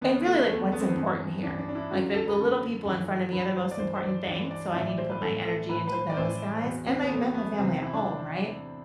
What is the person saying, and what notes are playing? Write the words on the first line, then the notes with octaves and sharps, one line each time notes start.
and really, like, what's important here, like, the the little people in front of me are the most important thing, so I need to put my energy into those guys and my my family at home right,
E2 D3 B3
A3
E2 D3 A3
B3
C4
B3
G2 E3
G2 E3 D4
D4
D4
E4
F#2 D3 F#4
A4
B4
F#2 D3 A4
G2 E3
G2 E3 B4
C5
D5
G2 E3 C5
C5
D5
G2 E3 D5
D5
D5
A2 E3 E5
D5
C5
B4
A2 E3 A4
A4
A2 E3 B4
B4
C5
D5
A2 E3 C5
E2 B2
C4
B3
E2 B2 A3
B3
E2 C3 E3 C4
E4
D4